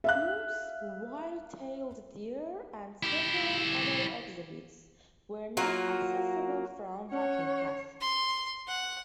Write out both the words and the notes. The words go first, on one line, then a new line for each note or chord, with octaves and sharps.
Moose, white-tailed deer and several other exhibits were not accessible from walking paths.
E5 F5 F#6
E4 G4
F#3 A#3 F4 F#4 A#4
C#4 C#5 F#5
C6
F#5